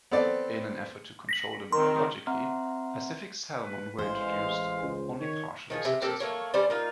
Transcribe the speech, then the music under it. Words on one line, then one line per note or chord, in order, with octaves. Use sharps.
In an effort to control them biologically Pacific salmon were introduced, only partially successfully.
B3 C4 A4 D5
A#6 B6 F#7
D#3 C4 A#4 C6
C4 E5 F#5 A#5 C6 F6
B4
A1 E3 G#3 C5 F5
C#2
D#3 C#5
D#3 F3 G#4
C3
A#3 C4 G4 A4
A3 A#3 C#5
G3 C#4 C5 D5
A#3 D#4 F4